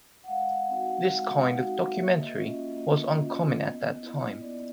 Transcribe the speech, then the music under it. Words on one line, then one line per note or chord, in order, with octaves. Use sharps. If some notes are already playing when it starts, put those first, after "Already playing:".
This kind of documentary was uncommon at that time.
F#5
G#3 F5
C4 D#4 F#4
G#3
C4 D#4 F#4
A#3 E5
D#5
C#4 F4
D#5
A#3 D#5
C#4 F4
B3
E4
B3 D5